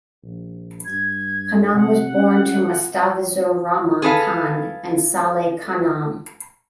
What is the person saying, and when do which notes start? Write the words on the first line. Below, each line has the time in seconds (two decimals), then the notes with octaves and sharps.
Khanam was born to Mustafizur Rahman Khan and Saleha Khanam.
0.23 A#1
0.85 G2 G#6
1.75 C3 F#5
2.14 C#4
4.02 G#4 A4 B4 F5